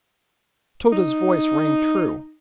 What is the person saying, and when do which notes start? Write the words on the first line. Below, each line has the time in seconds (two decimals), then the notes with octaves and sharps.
Tode's voice rang true.
0.93 D#4